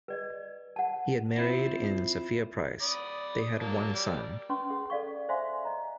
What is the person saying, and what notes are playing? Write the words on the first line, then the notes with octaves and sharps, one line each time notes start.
He had married in Sophia Price; they had one son.
B4 D5 D#5
F#5 A5
C4 E4 F4
D5 B5 D#6
F#3 A#3 A5
G3 D5
C#4 B4 C6 C#6
G#4 F#5
A4 D5 F5 C#6
C5 D5 E5 F5 G#5 C6
D#5 A#5